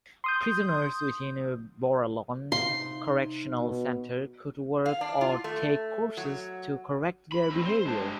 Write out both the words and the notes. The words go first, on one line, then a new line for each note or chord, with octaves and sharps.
Prisoners within Borallon Correctional Centre could work or take courses to correct their behavior.
C6 D#6 G6
C3 D#4 F5 C6
B2
F5
D4
F4
A3
F#3
B5
A2 C4
C5
G#3 D4